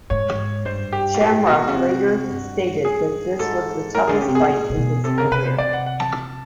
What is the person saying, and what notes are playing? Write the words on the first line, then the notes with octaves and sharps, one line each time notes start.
Shamrock later stated that this was the toughest fight in his career.
G#2 C#5
G2 C5
G4
G#2
A2 G4
B2 F#4
C#3
C3
G2
G#4
G#2 A4
A2 A#4
D3 G#4
C#3 G4
C3
B2 G#4
A#2
A#2
B2
C3 A4
C#3 A#4
C3 B4
C5
C3 D5
F#5
F#5
A5